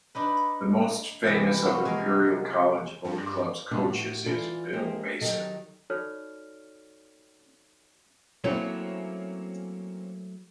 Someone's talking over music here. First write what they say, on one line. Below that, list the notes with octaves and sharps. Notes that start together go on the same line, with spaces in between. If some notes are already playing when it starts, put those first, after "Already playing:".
The most famous of Imperial College Boat Club's coaches is Bill Mason.
D4 D#4 B4
C3 E3 D#5 E5 G#5
A3 F4 F#4
G#3 G#4 A#4 F5
G2
F#2 C#3 B3 D4 D#4 F4
A2 F#4
E3 F4 G#4 A4 D5
G#3 A#3 G4 A#4 C5
D#3 F#3 D#4 G4 A4
D#4 F#4 A4 C#5 D5 F6
F#3 A3 A#3 C4 C#4 E4